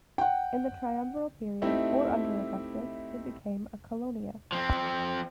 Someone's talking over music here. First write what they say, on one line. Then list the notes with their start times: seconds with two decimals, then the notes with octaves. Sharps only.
In the triumviral period or under Augustus it became a colonia.
0.18 F#5 G5
1.62 A3 C4 D#4 E4 G4 E5
4.52 F3 C4